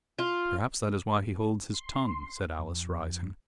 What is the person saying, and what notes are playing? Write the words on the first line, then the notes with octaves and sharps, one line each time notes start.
"Perhaps that is why he holds his tongue," said Alice, rising.
F4
C6
F2